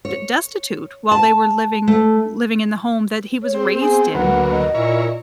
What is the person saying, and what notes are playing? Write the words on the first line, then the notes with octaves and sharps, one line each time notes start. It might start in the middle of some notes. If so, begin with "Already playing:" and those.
d destitute, while they were living living in the home that he was raised in,
C#5
A5
A3
C#5
C4 G#4
B3 G#4
D2 F#3 A#3 B4 F#5
D#5
A#2 E4 A#4 C#5